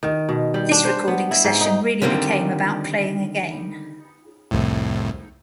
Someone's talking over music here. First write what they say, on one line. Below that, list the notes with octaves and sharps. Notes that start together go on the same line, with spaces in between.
This recording session really became about playing again.
D#3
B2
G3
D4
C5
B3
E4
G#2
D#4
D3 D#3 G3 A#3 C4
C2 F2 A2